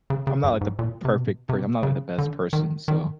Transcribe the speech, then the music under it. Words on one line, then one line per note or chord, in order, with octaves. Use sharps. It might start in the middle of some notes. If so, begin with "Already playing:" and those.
I'm not, like, the perfect per I'm not, like, the best person so,
C#3
C#3
G2
G#2
A#2
C3
B2
C3
C#3
D3
D#3
D#3